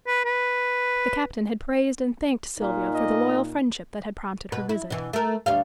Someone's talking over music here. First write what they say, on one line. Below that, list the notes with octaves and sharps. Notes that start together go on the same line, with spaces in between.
The Captain had praised and thanked Sylvia for the loyal friendship that had prompted her visit.
B4
B4
A#2 D#4
D#5
B2 B4
E4
B2 E3
A3 A#4
D2 G3 F5